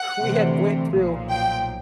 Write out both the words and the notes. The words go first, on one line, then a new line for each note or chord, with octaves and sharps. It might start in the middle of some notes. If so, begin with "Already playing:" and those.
we had went through
Already playing: F#5
D2 C3 E3
B1 A#2 F3
G5